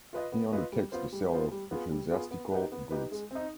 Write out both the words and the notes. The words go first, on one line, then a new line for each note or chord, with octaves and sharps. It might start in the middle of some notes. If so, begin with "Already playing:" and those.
He undertakes the sale of ecclesiastical goods.
F4 B4 D#5
B3
F4 B4 D#5
G3
B3 F4 C5
G3
B3 F4 C5
G3
B3 F4 G#4
G3
B3 F4 G#4
B3
D#4 G4 B4
B3
D#4 G4 B4
G#3
C4 D#4